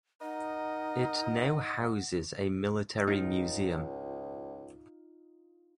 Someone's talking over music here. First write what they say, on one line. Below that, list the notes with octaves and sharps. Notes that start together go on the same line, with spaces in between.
It now houses a military museum.
D#4 A#4 D#5 F#5
C#2 D#4 F4